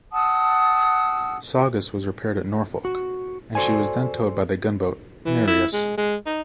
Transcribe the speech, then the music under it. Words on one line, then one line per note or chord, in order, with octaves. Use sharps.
"Saugus" was repaired at Norfolk and she was then towed by the gunboat "Nereus".
F#5 A5 D#6 E6
F#4
F#4 A4 C5 D5 G#5
E3
E4
G#3
G#3
D#4